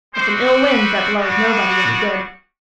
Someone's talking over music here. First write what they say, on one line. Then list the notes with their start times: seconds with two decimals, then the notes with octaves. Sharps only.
"It's an ill wind that blows nobody any good."
0.14 G3 C4 F#4 C5
0.66 B4
1.17 G3 B3 D4 F#4